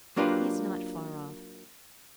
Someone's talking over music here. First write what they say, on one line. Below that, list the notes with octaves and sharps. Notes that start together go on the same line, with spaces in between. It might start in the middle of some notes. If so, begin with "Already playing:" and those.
He is not far off....
F#3 A#3 D4 F4 G4 B4